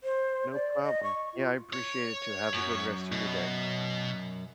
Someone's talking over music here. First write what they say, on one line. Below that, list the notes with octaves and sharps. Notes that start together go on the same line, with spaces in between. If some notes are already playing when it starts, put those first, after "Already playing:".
No problem, yeah, I appreciate it too. Have a good rest of your day,
C5
D5
D#5
C#6
F4
C#5
F#2
B2